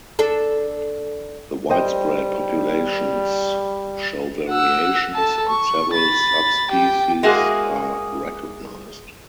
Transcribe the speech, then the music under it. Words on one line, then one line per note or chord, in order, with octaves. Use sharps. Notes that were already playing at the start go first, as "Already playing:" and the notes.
The widespread populations show variations and several subspecies are recognized.
D4 A4
G3 C5 D#5 G5
F#5 E6
A4 A5
C#6
B5 A6
G4 G5
G#3 A#3 E4 F#4 G#4